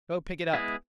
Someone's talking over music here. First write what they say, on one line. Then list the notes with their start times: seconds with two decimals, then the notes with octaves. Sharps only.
Go pick it up!
0.53 G#3 B3 E4 G#4